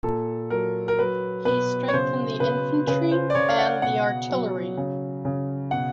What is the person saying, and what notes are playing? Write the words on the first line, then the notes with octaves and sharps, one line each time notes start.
He strengthened the infantry and the artillery.
A#2 A4
F#3 A#4
A#4
F#3 B4
B2 B4
C#5
C#3 C5
C#3 B4
C#3 B4
C5
D5
C#3 C#5
F5
F#5
B2 F#5
F#3
C#3
C#3
B2 F#5